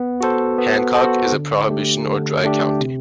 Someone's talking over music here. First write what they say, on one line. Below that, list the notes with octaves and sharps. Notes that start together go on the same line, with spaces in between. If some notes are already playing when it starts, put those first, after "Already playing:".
Hancock is a prohibition or dry county.
Already playing: B3
F#4 A4 C5
B3
F#4 A4 C5
D3
A3 D4 G4
D3
A3 D4 G4
C3